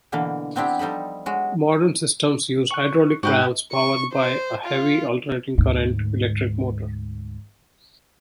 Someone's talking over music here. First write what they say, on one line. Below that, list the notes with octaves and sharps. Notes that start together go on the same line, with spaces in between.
Modern systems use hydraulic rams powered by a heavy alternating current electric motor.
B2 D3 E3 A#3 B4
B3 C4 D4 E4 G4
F3 G3 D#4 A4 B5
F#3 G#3 F#4
C#6 F#6
G#2 F#4 G4 B4
C#6
C5
F4
D2 G#2